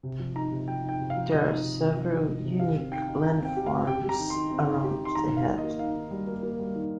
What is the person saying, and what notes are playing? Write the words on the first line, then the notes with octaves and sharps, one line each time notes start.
There are several unique landforms around the head.
C3
F3
D#4 A#5
C3
F3 G5
D#4
G5
C3
F5
F3
C3 D#5
D#4
C3
C3
F3
D#4
C3
C3
G4 F5
C4
D#3 G5
D#4
D#3 A#5
C4 G5
G4
F5
C4
G4 G5
G4
A#5
D#3
C6
D#3
C4
D#4
G4
D#4
C6
D#3 A#5
D#3
F5
A#3
D#5
A#3
D#4 F5
D#3
G3
A#3
A#3
G3
D#3